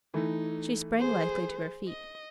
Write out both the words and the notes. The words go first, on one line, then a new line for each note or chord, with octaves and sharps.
She sprang lithely to her feet.
E3 A3 D#4
G#4 C5
D#5